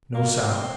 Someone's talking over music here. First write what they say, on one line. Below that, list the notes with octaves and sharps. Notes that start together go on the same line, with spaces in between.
No sound.
A#3
C4